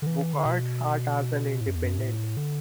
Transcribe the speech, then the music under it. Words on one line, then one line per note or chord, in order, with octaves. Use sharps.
Bouchard sat as an independent.
D3
E3
D3
B2
A2
F#2
E2
F#2
A2
D3